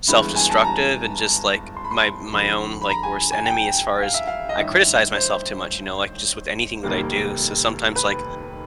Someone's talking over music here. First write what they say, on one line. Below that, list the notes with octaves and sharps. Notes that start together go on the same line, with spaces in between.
self-destructive and just, like, my my own, like, worst enemy, as far as I criticize myself too much, you know, like, just with anything that I do, so sometimes, like,
G1 G2 E3 G#3 B3 B5
G#5
A5
A#5
C6
B5
C6
F2 D3 F3 B5
B5
A#5
G#5
G#5
G5
F5
E5
F5
D#5
A1 G2 D#3 E5
C5
F1 D#2 D#3 G3 A#3
B4